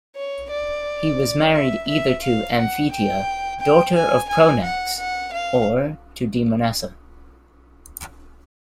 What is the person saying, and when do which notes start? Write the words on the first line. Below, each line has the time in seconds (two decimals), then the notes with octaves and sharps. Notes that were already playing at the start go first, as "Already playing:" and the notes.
He was married either to Amphithea, daughter of Pronax, or to Demonassa.
0.16 C#5
0.50 D5
1.54 E5
1.88 E5
2.23 F5
2.57 F#5
2.92 G5
3.61 G5
3.95 G#5
4.29 G#5
4.64 F#5
4.98 F#5
5.33 F5